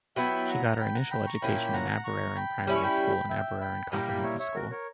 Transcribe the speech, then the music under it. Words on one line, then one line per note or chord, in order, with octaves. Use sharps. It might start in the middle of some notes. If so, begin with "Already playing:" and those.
She got her initial education in Aberaeron Primary School and Aberaeron Comprehensive School.
F#3 B3 E4 E5 G5
F#5 A#5
G5 B5
F#5 A#5
G5 B5
A#5 C#6
A#2 A#3 C#4 E4 G5 B5
F#5 A#5
A#5 C#6
G5 B5
G3 C#4 E4 B5
C#6
G5 B5
E5 G5
G5 B5
A#2 G3 A#3 E4 G5 B5
G5 B5
C#5 E5
C#5 E5
F#4 A#4
A#4 C#5